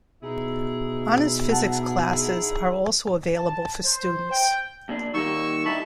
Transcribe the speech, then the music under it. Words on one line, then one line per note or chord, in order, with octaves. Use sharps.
Honors Physics classes are also available for students.
B2 D#4 E4 G#4
F#5 A5
A5
C5
G5
A#2 D4
D#3 G3 A#3 C#6 E6
D3 D#4 E4 E5 A5